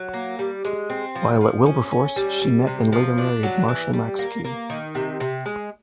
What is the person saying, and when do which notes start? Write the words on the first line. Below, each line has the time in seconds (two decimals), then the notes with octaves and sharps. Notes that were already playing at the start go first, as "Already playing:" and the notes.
While at Wilberforce she met and later married Marshall Maxeke.
Already playing: F#3
0.14 A#3
0.39 G3
0.65 G#3
0.90 C4
1.15 F3
1.41 F3
1.66 C#4
1.91 C#4
2.16 G3
2.42 G3
2.67 C3
2.93 F3
3.18 D4
3.43 F#3
3.68 E3
3.93 G3
4.19 A#3
4.45 A#3
4.70 D#3
4.95 C3
5.20 C3
5.46 G#3